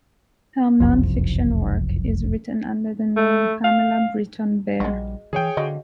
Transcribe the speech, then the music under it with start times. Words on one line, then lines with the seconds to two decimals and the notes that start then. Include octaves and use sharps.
Her non-fiction work is written under the name Pamela Britton-Baer.
0.80 F#1 C2 F2
3.17 A3
3.64 F5
4.80 A#1 G3 G#3 F#4
5.33 D#3 E3 G#4 C#5 G5
5.57 D3 F3 F#4 D#5